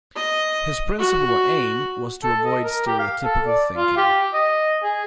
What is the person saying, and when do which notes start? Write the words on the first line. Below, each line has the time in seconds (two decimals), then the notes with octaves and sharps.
His principal aim was to avoid stereotypical thinking.
0.16 D#5
0.99 F#4
2.24 A4
2.46 D#5
2.64 A#4
2.87 G4
2.99 F5
3.25 A4
3.47 D5
3.77 F4
3.97 G4
4.33 D#5
4.83 G#4